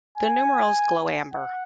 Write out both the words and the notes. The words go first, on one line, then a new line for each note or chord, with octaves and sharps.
The numerals glow amber.
G#5
F#5